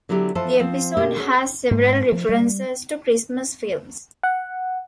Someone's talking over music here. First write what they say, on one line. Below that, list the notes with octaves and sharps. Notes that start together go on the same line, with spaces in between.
The episode has several references to Christmas films.
D3 F#3 B3 E4 G4
E3 F3 A4 C5 A5
F3 C4
B2 D3 A#3 G4
B3 C#4 D#4 F#4 G#4 A4
G#2
F3
G3
F#5